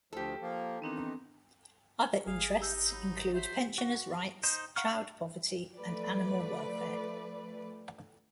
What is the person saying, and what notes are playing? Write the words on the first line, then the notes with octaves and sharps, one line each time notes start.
Other interests include pensioners rights, child poverty and animal welfare.
D2 F3 G4 A4
F3 A#3
D#3 E3 B3 C4 D4 D#4
G#1 G#4 F5
D#4 G4 E6 G6
F#3 B5
C5 E5 G6 B6
F#4
D#4 C5
F5 F#5 A#5 C#6 F6
D4
F3 A3 B4 D5